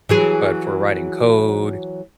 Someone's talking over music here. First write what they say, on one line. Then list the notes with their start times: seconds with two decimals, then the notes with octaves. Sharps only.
but for writing code,
0.09 E3 F#3 G#4